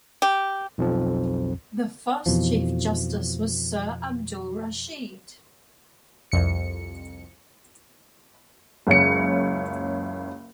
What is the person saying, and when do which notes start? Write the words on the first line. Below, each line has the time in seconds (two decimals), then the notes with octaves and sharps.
The first Chief Justice was Sir Abdul Rashid.
0.22 G4
0.78 B1 F2 F3
2.26 F2 B2 E3 F3
6.32 C2 F2 C#7
8.87 F#1 C#2 C#4 C#7